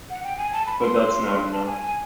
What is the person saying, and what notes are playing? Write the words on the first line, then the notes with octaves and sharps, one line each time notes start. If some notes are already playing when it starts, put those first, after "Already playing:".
But that's not enough.
F#5
G5
G#5
A5
B5
C6
E6
C6
A5
G#5
G#5